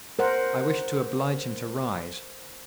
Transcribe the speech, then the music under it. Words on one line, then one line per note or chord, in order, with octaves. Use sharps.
I wished to oblige him to rise.
A#4 C5 F#5